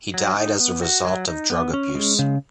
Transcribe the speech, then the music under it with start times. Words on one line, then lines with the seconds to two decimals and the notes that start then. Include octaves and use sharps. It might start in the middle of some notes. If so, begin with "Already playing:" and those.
He died as a result of drug abuse.
0.14 F#3
0.37 D#4
0.60 B3
0.82 F#4
1.05 F#3
1.28 D#4
1.50 B3
1.74 C#4
1.95 G#3
2.19 C#3